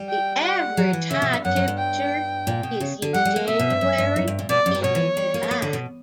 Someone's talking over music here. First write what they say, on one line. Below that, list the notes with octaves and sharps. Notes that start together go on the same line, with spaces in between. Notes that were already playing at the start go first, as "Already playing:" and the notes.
The average high temperature is in January and in July.
Already playing: G3
G5
F#5
F#3
E3
C#3 E5
B2
G2
F#2 F#5
F#2
G2
G5
A#2
B2
C#3
D3
G3 F#5
G3
A#3
B2 E5
B2
G2
F#2
G2
F#2
G2
A#2
B2 D5
F#2
G2
B2 C#5
E3
G3
A#3
B3
A#3
D3
B2